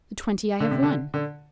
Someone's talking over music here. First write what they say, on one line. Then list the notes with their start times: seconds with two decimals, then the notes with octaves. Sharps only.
"The twenty I have won."
0.60 D3
0.71 C3
0.83 D3
1.14 D3